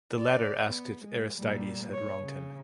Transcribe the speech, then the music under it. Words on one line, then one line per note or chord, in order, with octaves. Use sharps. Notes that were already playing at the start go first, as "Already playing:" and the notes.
The latter asked if Aristides had wronged him.
D5
B3
G#3
A#2 G3
C#5
C#3